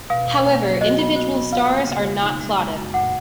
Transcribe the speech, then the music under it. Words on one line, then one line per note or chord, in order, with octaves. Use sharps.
However, individual stars are not plotted.
B2 F5
B2
A#3
F#3
F#4 D#5
B3
F#4
B3
F4 F5
A#3
C#3
F4
D#4
G#3
G#3
F#2
A#2 F#5